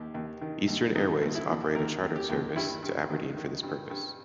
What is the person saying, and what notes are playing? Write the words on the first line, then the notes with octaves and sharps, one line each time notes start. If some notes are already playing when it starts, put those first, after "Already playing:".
Eastern Airways operate a chartered service to Aberdeen for this purpose.
Already playing: D#2 G4
D#2
D#3
D#2
D#2 D#4
D#2
E4
D#2
D#2 A#4
D#2
G4
D#2
G2 E4
G2
D#3
D#3
G2
G2